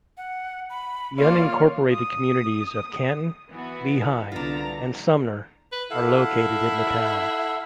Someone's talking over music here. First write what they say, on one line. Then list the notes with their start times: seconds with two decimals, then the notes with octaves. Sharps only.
The unincorporated communities of Canton, Lehigh and Sumner are located in the town.
0.17 F#5
0.70 B5
1.18 A#3 F4 C#5 D5 F5
1.92 D#6
3.51 E3 B3 F#4
4.32 C2 D3 B3 D4 F4 A#5
5.72 B4
5.91 E4 A4 F5 F#5